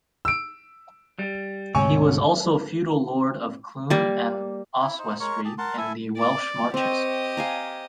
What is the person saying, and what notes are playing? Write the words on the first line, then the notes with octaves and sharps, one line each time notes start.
He was also feudal Lord of Clun and Oswestry in the Welsh Marches.
E6 D7
G3
D2 G#2 C3 C#5 G#5 C#6
G3 A#3
E4
D#4 C5
G#3 A#4 C#5 C#6
G4 G#4 A5
A#4 F#5 A5 C6
E4 A4 E5 G#5
D5
C4 G4 D#5 C#6
F5 G#5 A#5